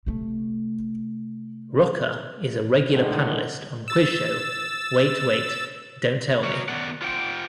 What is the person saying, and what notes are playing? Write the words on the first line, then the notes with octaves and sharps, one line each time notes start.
Rocca is a regular panelist on quiz show Wait Wait... Don't Tell Me!
C3 A3
A2 D3 D#3 G#3
E6 A6
F#4 A#4 C#5
D#3 F#3 B3 D5 F#5
F4 C5 F#5 G5